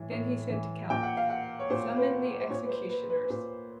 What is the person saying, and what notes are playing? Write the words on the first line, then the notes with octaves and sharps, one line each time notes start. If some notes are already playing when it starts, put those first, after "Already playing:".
Then he said to Kaliko: "Summon the executioners."
Already playing: A2 E3
A2
E3
A#2 G5
F#5
F5
F#5
C#5
A#2 C5
B4
C5
A#2 C#5
B4
C5
B4
B4
B4
A#2 C5